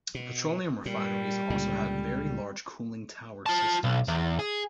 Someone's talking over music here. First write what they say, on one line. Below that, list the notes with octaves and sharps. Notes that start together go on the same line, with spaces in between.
Petroleum refineries also have very large cooling tower systems.
B2
A#2 G3
C#2 A#2 D3
F4 A5
B1
E2
G#4